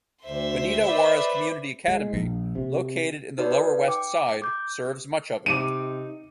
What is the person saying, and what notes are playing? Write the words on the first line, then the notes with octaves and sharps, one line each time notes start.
Benito Juarez Community Academy, located in the Lower West Side, serves much of it.
D2 C5 E5
B4 D5
G#3
A#1
C3
D#4 F#4 A4 B4 C#5 D5
G5 D6
D6 G6
C3 D#4 D6 D#7